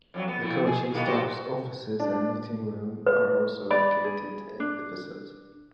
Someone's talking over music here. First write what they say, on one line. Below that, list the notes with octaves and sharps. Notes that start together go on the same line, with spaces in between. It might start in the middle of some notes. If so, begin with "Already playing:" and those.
The coaching staff's offices and meeting room are also located in the facility.
F2 F3 F#3
B3
F2 A3 E4
G#4
D#3 A#3 B3
F#4 G4 C5
D4
B4
D5 B5
G#4
D4